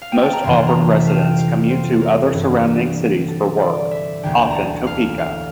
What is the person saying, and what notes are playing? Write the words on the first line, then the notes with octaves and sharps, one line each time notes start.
Most Auburn residents commute to other surrounding cities for work, often Topeka.
F5
G5
A5
A#5
G1 F2 C3 E3 C6
A5
A#5
A5
E5
F5
G5
F5
C5
A4
A#4
G1 G2 E3
A4
D5
E5
E1 D2 D3 G5
A5 A#5
F5
F5